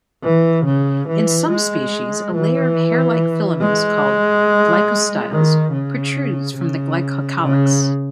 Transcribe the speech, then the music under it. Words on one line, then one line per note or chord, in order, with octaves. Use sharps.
In some species, a layer of hair-like filaments called glycostyles protrudes from the glycocalyx.
E3
C#3
E3
G#3
E3
G#3
D#3
C#3
C#3
C#3